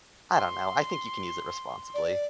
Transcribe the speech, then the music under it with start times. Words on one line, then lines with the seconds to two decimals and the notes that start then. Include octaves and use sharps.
I don't know. I think you can use it responsibly.
0.32 C6
1.94 D5